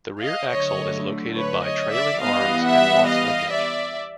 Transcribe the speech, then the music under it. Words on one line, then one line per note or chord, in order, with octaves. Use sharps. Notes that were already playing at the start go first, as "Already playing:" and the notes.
The rear axle is located by trailing arms and Watt's linkage.
D#5 F5
D3 F#3 A3 C#5 D#5
B4 C#5
C#5 D#5
D5 E5
E3 G3 B3 D#5 F5
E5 F#5
D#5 F5
D5 E5